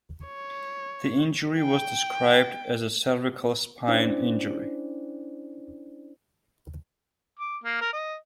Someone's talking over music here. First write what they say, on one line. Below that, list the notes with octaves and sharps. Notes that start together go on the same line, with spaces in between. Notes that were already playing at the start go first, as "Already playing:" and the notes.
The injury was described as a cervical spine injury.
C#5
G5
C#4 D4 E4 C5 D5
D6
A#3
A#4
D#5